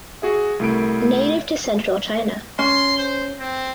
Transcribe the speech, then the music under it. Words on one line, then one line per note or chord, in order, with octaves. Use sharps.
Native to central China.
F#4 G#4 E5
C2 A3 E4 A#4 D7
C#4 C6
C5
C4